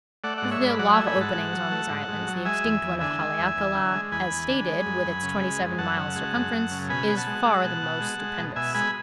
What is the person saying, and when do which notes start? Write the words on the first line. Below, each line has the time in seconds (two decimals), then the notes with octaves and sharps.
Of the lava openings on these islands, the extinct one of Haleakala, as stated, with its twenty-seven miles circumference, is far the most stupendous.
0.24 A3 D5 F#5
0.38 G#2 D5 F#5
0.51 C#5 E5
0.60 G#2 B4 D5
0.79 F#3 D5 F#5
0.93 A3 E5 G#5
1.06 G#5 B5
1.16 G#2 F#5 A5
1.35 G#2
1.53 F#3
1.72 A3
1.90 G#2
2.08 G#2
2.27 F#3
2.45 G#3 E5 G#5
2.64 E2
2.83 E2
3.01 D3 E5 G#5
3.19 G#3
3.38 E2
3.57 E2
3.75 D3
3.93 G#3
4.12 E2 G#5 B5
4.31 E2
4.49 D3
4.67 G#3
4.86 F#2
5.05 F#2
5.23 C#3
5.42 G#3
5.60 F#2
5.78 F#2 F#5 A5
5.97 C#3
6.16 G#3
6.34 F#2
6.53 F#2
6.71 C#3
6.89 B2 G#5 B5
7.08 B2
7.17 F#5 A5
7.27 G#3
7.45 G#3
7.64 B2
7.82 B2
8.00 G#3
8.19 G#3
8.37 B2
8.56 B2 E5 G#5
8.74 G#3 G#5 B5